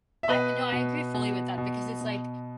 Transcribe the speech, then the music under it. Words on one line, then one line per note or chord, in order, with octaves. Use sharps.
I I know, I agree fully with that because it's, like,
E5
B2 B4 D#5
B2
B2
B2
B2